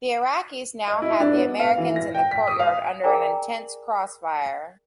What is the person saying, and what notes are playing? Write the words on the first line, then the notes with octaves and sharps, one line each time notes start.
The Iraqis now had the Americans in the courtyard under an intense crossfire.
D#5
E4
D4
B3
F5
E3
A#6
G5
B6
D#6
F5
G#4 A#4 D5 G5 G#5 A#5